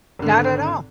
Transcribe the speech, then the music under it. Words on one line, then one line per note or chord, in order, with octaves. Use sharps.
Not at all.
G#1 D3